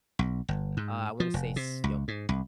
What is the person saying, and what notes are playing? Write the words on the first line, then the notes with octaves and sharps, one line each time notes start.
uh, I wanna say, s you know,
B1
G1
G#2
F3
F1
C3
C#2
G#2
C2